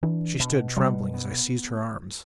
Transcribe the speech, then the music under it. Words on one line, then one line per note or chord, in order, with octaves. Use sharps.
She stood trembling as I seized her arms.
E3 D4
B2
B2 G3
B3